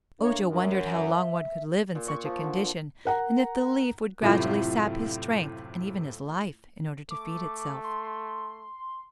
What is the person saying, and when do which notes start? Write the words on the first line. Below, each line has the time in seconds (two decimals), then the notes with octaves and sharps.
Ojo wondered how long one could live in such a condition and if the leaf would gradually sap his strength and even his life, in order to feed itself.
0.19 A2 A#3 D4 C#5
0.48 F#2
0.91 E5
1.95 A#2
2.08 C#6
2.25 F3
2.44 D3
3.05 A#4 F#5 A#5
4.22 F#2 A2 C3 A3 E4 F4
7.11 A3 D6
7.84 C6